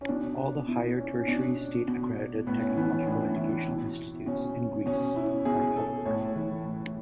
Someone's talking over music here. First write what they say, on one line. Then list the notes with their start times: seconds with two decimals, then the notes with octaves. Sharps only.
All the higher tertiary state-accredited technological educational institutes in Greece are public.
0.01 C#4
0.08 B2 D4
0.68 B2 E4
0.97 C#4
1.19 C#4
1.28 B2 D4
1.88 B2
2.47 A2 B3
2.62 C#4
2.77 E3 B3
2.92 C#4
3.07 A2 D4
3.36 E3 E4
3.67 B2 E4
4.26 B2 C#4
4.86 B2 C#4
5.16 E4
5.45 B2 G#4
5.76 A4
6.05 A2 C#5
6.36 E3
6.65 A2